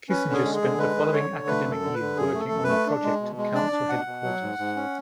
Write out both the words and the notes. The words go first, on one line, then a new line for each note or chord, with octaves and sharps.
Kissinger spent the following academic year working on the project at Council headquarters.
C#4 B4
D3
G#4
G#3
G#4
D3
G#3 B4
D3
D3 C#5
D3
A3 B4
F#2
A4
D3
D3 B4
F#2 G#4
A3
A4
F#2
A3 B4
D4
G#3
B2
G#3
D4 D5
D4
B2 F#5
B2
F#3
G#2
G#2
C#4